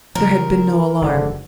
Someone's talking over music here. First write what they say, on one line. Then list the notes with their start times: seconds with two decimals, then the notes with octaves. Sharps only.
There had been no alarm.
0.15 C#3 F3 A#4
1.01 F#1 G#2 D3